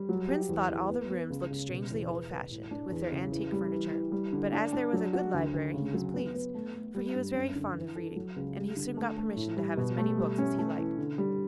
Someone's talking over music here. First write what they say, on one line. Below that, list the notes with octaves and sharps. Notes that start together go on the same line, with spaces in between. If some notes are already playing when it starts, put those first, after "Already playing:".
The Prince thought all the rooms looked strangely old-fashioned, with their antique furniture, but as there was a good library he was pleased, for he was very fond of reading, and he soon got permission to have as many books as he liked.
Already playing: G3
F#3
G4
E2
E2
B3
B3
C#2
C#3
B2
E2
B4
B4
A2
D4
E2
C#3
E3
G3
E3
E3
G3
D3
D4
D4
F#3
F#4
D2
D2
C#3
F#3
B3
B3
A3
A3
G3
G2
F#2
D3
E3
A4
F#3
C#2
G3
D3
A3
A3
A2
G3
B2
A3
G3
C#4
A3
E3
D3
G3